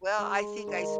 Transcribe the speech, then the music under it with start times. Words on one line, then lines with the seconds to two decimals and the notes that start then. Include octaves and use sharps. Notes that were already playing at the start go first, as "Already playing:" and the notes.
Well, I think I s
0.19 G#3
0.67 D#3